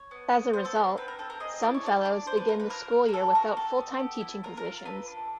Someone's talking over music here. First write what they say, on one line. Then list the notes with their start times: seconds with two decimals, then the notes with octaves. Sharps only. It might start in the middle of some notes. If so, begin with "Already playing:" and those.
As a result, some Fellows begin the school year without full-time teaching positions.
Already playing: C#5
0.11 B3
0.32 B3
0.53 B3 C5
0.65 A4
0.75 D4 A#4
0.97 C4 B4
1.08 A#4
1.18 C4 A4
1.30 A#4
1.40 G#4 D#5
1.62 E4 D5
1.74 C#5
1.83 D4 D5
2.05 D4
2.26 D4 C5
2.37 B4
2.48 F4 A#4
2.60 B4
2.70 A#3 A#4
2.92 A#3
3.09 A#4
3.13 A#3 A4
3.35 F#4 A#4
3.57 G4 A4
3.78 B3
4.00 G4
4.21 E4
4.43 F4 A#4
4.57 A#4
4.65 F4
4.86 A4 B4
5.08 D4